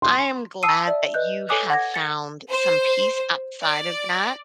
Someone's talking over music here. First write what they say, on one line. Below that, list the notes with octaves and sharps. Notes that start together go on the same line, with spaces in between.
I am glad that you have found some peace outside of that,
C6
A5 D#6 E6 C7 C#7 D#7
D5 E5
B4 D#5 F#6 G6
A4 C#5 G#5 D6 D#6 F#6
F#5 D6 G#6 A#6
A6 C#7
C5
D5